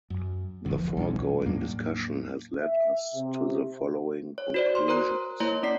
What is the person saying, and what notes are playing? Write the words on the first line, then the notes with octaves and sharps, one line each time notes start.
The foregoing discussion has led us to the following conclusions.
F#2
E1 A#1 D3 D#3 F3
B1 E2 G3 C#4 D4
E2 A2 F#3 A#3 C4 D4
E5
C3
C#5
F#4 C5 D5
C6
A#4 C5 A#5 F#6
A#3 E4 C#5 A#5
C#4 D5 B6 C7